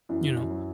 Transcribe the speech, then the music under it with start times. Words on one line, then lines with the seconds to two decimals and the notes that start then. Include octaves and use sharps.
you know?
0.09 F#2 E3
0.36 F#2
0.50 F#3